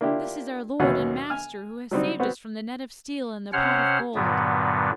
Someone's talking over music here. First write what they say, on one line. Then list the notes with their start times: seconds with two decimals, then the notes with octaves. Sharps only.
'This is our lord and master, who has saved us from the net of steel and the pot of gold!'
0.01 A#3 D4 E4 F4 G4
0.80 A1 D#2 B2 F#3 C#4 F#5
1.30 G#5 F6
1.91 F#3 G3 C4 D#4
2.19 B3 C4 F#4
3.53 C3 C#4 C5 C#5 F#5 F6
4.15 G2 A#2 D3 F#3 B3